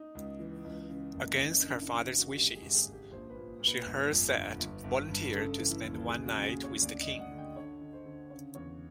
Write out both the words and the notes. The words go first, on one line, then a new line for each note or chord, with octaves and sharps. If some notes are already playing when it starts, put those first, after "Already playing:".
Against her father's wishes, Scheherazade volunteered to spend one night with the king.
Already playing: D#4
C#2
E3
C#2
C#3
F#1
F#1
C#3 D4
E4
E3
C#3
F#4
G#1 G4
G#4
G#1
G#4
G#1
G4
A#1 C5
B4
A#2
A#2
B4
G1
F2
D3
G1
G1
G2
C#3 A4
E3
E4
D#2
C#3 G#4
F#4
C#3
G#4
C#3
C#5
D2 D5
D#5
D2
F#5
D3
G5
D3 C#5
D3
C5
D3
C#3 C#5
E2 C#5